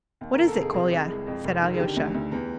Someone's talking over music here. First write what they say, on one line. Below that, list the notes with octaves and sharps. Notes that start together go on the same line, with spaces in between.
"What is it, Kolya?" said Alyosha.
D#2
A#4
F1
A4
F1
G#4
C3 G#4
C2
G#3
F2
F1
D#3
G#4
D3 G4
D2
D2
E2